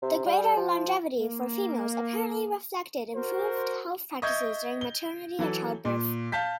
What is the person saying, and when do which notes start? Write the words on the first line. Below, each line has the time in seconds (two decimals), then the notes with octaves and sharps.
The greater longevity for females apparently reflected improved health practices during maternity and childbirth.
0.02 C3
0.26 G3
0.57 F3
1.20 A#3
3.15 F#4 A#4 C5
4.22 D#5 E5 C#6 G6 G#6
4.81 G7
5.39 E3 F#3 A4
5.85 A#2
6.32 F5 A5 G6 B6